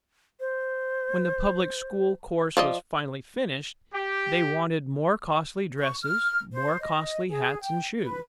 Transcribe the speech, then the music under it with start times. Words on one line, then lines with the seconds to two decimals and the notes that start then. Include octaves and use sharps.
When the public school course was finally finished, they wanted more costly dresses, more costly hats and shoes.
0.40 C5
2.57 F3 D5 D#5
3.94 G4
5.78 C#6
6.03 F6
6.53 C5
6.81 D#5
7.29 G#4
7.61 G5
8.01 B4